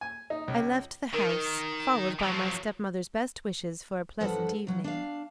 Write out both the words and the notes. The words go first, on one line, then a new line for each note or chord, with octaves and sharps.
I left the house, followed by my stepmother's best wishes for a pleasant evening.
G#5
D#4
C#2
D#3 A#4
F3 F#3
G2 F3 A4 B4 F#5
C#3 F#3
D4 F5